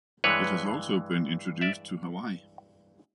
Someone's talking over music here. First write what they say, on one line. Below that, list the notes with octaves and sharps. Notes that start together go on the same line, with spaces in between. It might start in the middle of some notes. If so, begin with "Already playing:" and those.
It has also been introduced to Hawaii.
G2 E3 G#3 B4 C#5
D5 E5